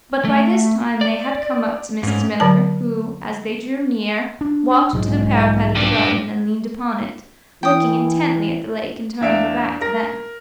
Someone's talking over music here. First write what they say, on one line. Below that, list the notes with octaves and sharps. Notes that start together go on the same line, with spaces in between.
But by this time they had come up to Mrs. Miller, who, as they drew near, walked to the parapet of the garden and leaned upon it, looking intently at the lake and turning her back to them.
A3
D5
G#2 C#4
D3 F#3 A5
D4
B1 G#2 F3 G#3
G2 D4
E3 G5 D#6
E2 D4 E5 F5 D7
A#4 A#6